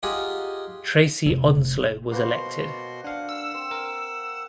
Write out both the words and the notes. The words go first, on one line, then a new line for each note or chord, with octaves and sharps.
Tracey Onslow was elected.
D#4 F4 G4 G#4 F#5
F1 D#4
B2 A#3 F#4 B4 C5 C6
D4 F5 F#5
E6
C4
A#4